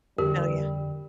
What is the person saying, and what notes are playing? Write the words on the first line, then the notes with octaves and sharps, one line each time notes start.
Oh, yeah.
F2 D3 G3 G4 A#4